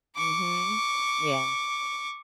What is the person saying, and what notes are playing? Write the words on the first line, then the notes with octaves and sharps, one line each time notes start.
Mhm, yeah.
C#6 D6